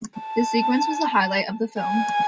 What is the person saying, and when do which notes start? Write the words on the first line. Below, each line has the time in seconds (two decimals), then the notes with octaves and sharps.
The sequence was the highlight of the film.
0.20 A5
1.80 G#5